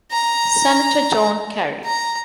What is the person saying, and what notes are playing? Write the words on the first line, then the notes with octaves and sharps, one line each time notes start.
Senator John Kerry.
A#5
A#5